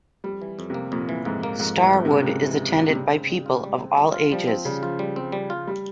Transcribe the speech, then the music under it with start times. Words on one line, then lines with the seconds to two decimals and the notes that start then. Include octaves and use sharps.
Starwood is attended by people of all ages.
0.24 F2 G3
0.42 E3
0.59 F2
0.70 C3 A#3
0.92 F2 A#2
1.09 E3
1.25 F2 G#2
1.43 A#3
1.59 F2 G#2
1.77 E3
1.83 G#2
1.93 F2
2.05 C3
2.11 C#3 A#3
2.22 C3
2.27 F2
2.45 E3
2.62 F2
2.78 A#3
2.90 C3
2.95 C#3 G3
3.13 C4
3.29 G3
3.46 F4
3.64 G3
3.81 C4
3.97 G3
4.14 F4
4.32 F3 G3
4.48 C4
4.65 C#3 G3
4.82 F3 F4
4.99 G3
5.16 C4
5.32 G3
5.50 F4
5.67 G3